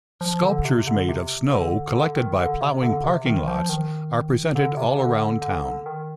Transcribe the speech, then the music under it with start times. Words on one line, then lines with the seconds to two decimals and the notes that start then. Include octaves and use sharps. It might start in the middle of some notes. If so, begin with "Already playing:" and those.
Sculptures made of snow collected by ploughing parking lots are presented all around town.
0.21 F3
0.42 D3
0.65 C3
0.87 D3
1.09 C3
1.51 D3
1.95 D3
2.16 D#3
2.39 D3
2.61 C3
2.82 D3
2.93 D3
3.04 C3
3.26 D#3
3.48 F3
3.69 D#3
4.55 D3
4.77 C3
4.99 D3
5.21 D3
5.42 D3
5.64 D3
5.86 D#3